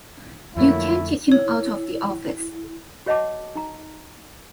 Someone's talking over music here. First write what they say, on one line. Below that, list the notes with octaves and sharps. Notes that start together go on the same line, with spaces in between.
You can't kick him out of the office.
F2 D3 F3 F#3 A3 A#3 E4
E4 C#5
F#4 C#5 D#5 F#5 A5 D6
D#4 A#5